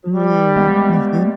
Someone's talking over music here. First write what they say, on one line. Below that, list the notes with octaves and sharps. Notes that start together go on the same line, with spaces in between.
Mm, mhm.
G3
G#3 B3